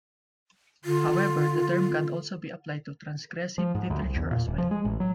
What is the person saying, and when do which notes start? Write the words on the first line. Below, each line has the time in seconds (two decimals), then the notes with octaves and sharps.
However, the term can also be applied to transgressive literature as well.
0.85 D3 F4
3.58 F3
3.75 G#2
3.90 D2
4.02 C2
4.16 E2
4.31 A#2
4.47 D#1
4.58 F3
4.71 G#3
4.85 A1
5.00 F#3